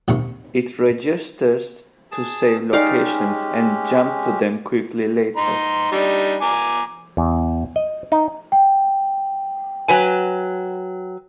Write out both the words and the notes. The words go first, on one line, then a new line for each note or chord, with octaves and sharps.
It registers to save locations and jump to them quickly later.
A1 D#2 C3 C#6
G#4 A5
G#3 C#4 D#4 G4 D5 F5
D#4 A#5 C6
G3 D4 D#4
G#5 A#5 D6
E2
D#5
D#4
G5
F#3 B4 G#5